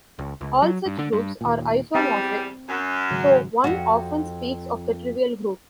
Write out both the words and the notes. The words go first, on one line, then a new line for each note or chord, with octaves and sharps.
All such groups are isomorphic, so one often speaks of "the" trivial group.
C#2
C#2
F#3
G2
D3
G2
D#2 A#2
E2 G3 C4
F#2
G#1 C#3 F#3
F2 F#4